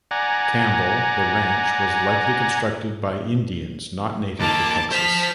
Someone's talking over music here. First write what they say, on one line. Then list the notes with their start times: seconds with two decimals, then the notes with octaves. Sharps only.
Campbell, the ranch was likely constructed by Indians not native to Texas.
0.11 D5 F#5 G#5 A#5
4.40 D#2 A#3 A5 D6
4.92 C5 A5 F6 B6